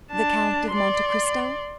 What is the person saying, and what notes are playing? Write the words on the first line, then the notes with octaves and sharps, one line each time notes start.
"The Count of Monte Cristo?"
D4 A5
D5 C6